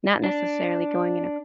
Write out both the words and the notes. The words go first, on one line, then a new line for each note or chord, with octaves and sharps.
not necessarily going in a
D4